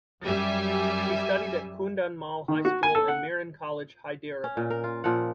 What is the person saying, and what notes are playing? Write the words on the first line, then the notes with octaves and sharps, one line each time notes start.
She studied at Kundan Mal High School and Miran College Hyderabad.
F#2 G3 E5 G#5
D#3
F#4
G#5
A4
F#5
C#4
A#2
A#4
F4
A#2 F3 A#4 F#5